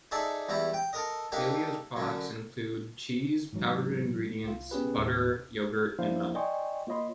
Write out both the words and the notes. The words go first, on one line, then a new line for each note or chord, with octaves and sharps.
Valio's products include cheese, powdered ingredients, butter, yogurt and milk.
D#4 G#4 A4 D5 E5
E2 G3 E4 A#5
G5
A4 A#4 D#5
A#3 D4 D#4 G4 A4
F#2 D3
G#2 E3 F#3
C2 F4
B3 C#4 G4 G#4 B4
D#2 A2
F3 A#3 D4 E4 C5 F5
D5 D#5 G5 G#5 C6 C#6
A#3 F4 C#5 D#5 B5 C6